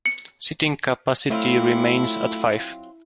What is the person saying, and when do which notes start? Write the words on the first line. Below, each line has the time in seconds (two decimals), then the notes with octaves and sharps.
Seating capacity remains at five.
0.06 C#7
1.30 F#3 A3 C4 E4 F4